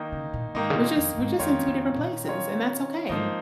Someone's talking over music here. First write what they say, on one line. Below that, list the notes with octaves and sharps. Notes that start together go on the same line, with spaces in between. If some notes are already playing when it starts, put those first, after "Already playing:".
we're just we're just in two different places, and that's okay.
Already playing: D#3 A#3 D#4
C#3
A#2
G#2 D#3 A#3 D#4
C#3
A#2
F2
G#2
F2 D#3 C#4 F4 C#5
F2
A#2
D#3 C#4 F4 C#5
G#2 F3 A#3 D#4